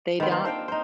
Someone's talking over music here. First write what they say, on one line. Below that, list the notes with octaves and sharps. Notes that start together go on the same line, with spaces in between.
They don't.
D#3 B3 C4 C5
A#3 C4 F4 C5
D4 C5 F5 G5
D#4 C5